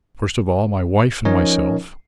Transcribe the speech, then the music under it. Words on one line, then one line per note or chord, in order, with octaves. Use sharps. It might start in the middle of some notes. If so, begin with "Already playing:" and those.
First of all my wife and myself.
F3 C#4 D#4 A#4 C#5 D#5